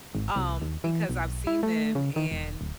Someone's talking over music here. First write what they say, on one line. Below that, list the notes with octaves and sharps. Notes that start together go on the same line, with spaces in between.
um, because I've seen them, and
G#1
C2
D#2
E3
B1
E4
A3
C#3
D#3
E1
D1